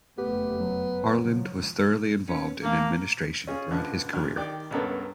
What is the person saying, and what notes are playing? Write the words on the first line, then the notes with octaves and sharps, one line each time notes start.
Harland was thoroughly involved in administration throughout his career.
F#1 F2 A3 B3 G4
F#3
C#2 C#3 F3
B3 C#4
A3 A#3 D4 F5
C#4 F4 G#4
C#2 D3 F3
D2 F#3 F6
D#3 G4 D5 G5 D6
C#2 G2 B3 A4 A#4 C#5